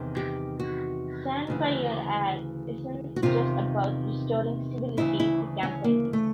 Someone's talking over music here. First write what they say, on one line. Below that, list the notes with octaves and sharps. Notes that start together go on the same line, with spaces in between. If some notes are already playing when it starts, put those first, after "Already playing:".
"Stand by your ad" isn't just about restoring civility to campaigns.
Already playing: E2 C3 D#3
G4
F#4
D2 C#3 E3
F#4
E2 C3 D#3 F4
D2 C#3 E3 E4
E4
C#4
A#3
A3